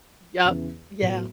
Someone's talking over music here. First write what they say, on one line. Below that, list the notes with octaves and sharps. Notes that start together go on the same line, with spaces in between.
Yep, yeah.
E2 C#3 E3
A2 F#3 B3 F#4